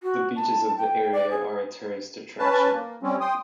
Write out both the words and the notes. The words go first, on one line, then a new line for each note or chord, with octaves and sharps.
The beaches of the area are tourist attraction.
F#4
A5
G5
D5
G#4
C#4 B4 A5
A#3
G3 C4 C#4
G5 C6 D#6